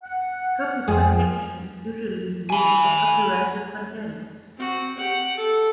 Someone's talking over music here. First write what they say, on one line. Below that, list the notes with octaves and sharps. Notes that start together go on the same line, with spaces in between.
Copy protection is usually used for copyrighted content.
F#5
F2 G#3 F4 G#4
G#5 B5
C4 F#4
G4 F#5
A4